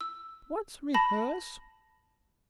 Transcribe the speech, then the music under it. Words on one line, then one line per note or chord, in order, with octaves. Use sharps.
"What's rehearse?"
E6
A5 B5 A#6